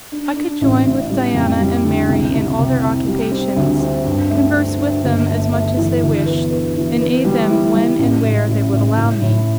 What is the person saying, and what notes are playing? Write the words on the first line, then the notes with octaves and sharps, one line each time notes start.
I could join with Diana and Mary in all their occupations; converse with them as much as they wished, and aid them when and where they would allow me.
D4
D4
A1
A2
G3
F2
G3
D3
C2
C2
C3
C3
G3
C4
D2
C4
G2
A3
D4
D4
G1
A3
A3
E3
D2
B3
B3
E3
B3
G3
E4
G3
A1
A2
A2
A2
A2
A2